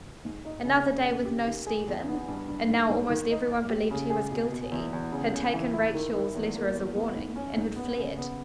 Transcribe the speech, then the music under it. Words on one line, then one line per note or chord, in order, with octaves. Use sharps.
Another day with no Stephen, and now almost every one believed he was guilty, had taken Rachel's letter as a warning and had fled.
G#2
D#4
C#3
C#3
A#2
G4
D#3
G#4
E2
B3
G2
G2
G#2
G#2
D#3
D#4
A#2
G4
C#3
G#4
B2
B2
E2
E2
C#3
C#3
E3
E4
D#3
D#3
E2
A#3
E2
B3
G#2
C#4
G#2
B3
C#3
B3